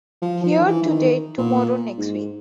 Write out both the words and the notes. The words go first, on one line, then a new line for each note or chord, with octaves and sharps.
Here Today, Tomorrow Next Week!
F3
F3
D#3
E3
E3
D#3
A#2
G#2